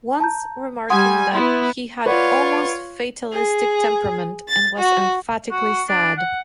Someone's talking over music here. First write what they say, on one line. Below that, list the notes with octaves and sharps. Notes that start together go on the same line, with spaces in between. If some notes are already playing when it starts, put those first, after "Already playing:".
Once remarking that, "He had almost fatalistic temperament and was emphatically sad".
A5 A#5 G6
G3 F#5 G#5 C6 D#6
B3 E4 B5 C6
F4 B4 C#5 D5 F#5
G#4
A6
F#4
F#4
D4
F#5